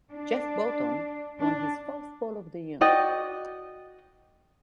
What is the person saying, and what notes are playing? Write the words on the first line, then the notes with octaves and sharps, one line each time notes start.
Jeff Burton won his fourth pole of the year.
D4
D4
F#4 D5 D#5 G5